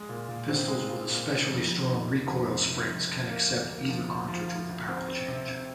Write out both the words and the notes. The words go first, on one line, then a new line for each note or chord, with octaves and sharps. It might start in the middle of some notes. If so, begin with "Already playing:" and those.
Pistols with especially strong recoil springs can accept either cartridge with a barrel change.
Already playing: G#3
A#2
A#2
C4
G#3
F4
A#2
A#2
F2
F2
D#3
F2
F2
C3
C3
F2
D3
A#3
D2
A#3
F3
D2
F3
F3
D2
C4
C4
C3
C3